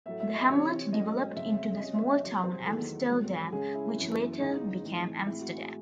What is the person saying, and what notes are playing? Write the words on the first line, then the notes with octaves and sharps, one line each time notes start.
The hamlet developed into the small town "Amsteldam", which later became Amsterdam.
A2 F#3 A3 E5
E5
D#5
C3 E3 C4 C#5
C#5
G#2 F#3 A3 C#4 D#5
F#2 C#3 G#3 C4 E5
E5
C3 F#3 C#4 D#5
E5
D#5
E2 C3 F#3
C5
E2 D#3 F#3 A3 A4
G#2 F#3 C4
C#3 G#3 C#4 G#4
E4
F#2 E3 G#3 C#4
E2 C#3 G#3 D#4
A2 E3 G#3 C4
A2 G#3 C4 E4
F#4
G#4